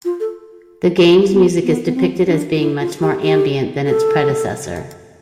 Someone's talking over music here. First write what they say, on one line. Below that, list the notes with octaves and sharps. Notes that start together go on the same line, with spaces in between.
The game's music is depicted as being much more ambient than its predecessor.
F4
A4
B3
B3
B3
C4
D4
F4
E4
F4
G4
G4
A4